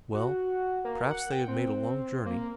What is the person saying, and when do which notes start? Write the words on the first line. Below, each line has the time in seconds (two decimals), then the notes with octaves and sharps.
Well, perhaps they have made a long journey.
0.14 F#4
0.85 A#3
1.10 F#5
1.32 G5
1.48 C4
2.26 A#3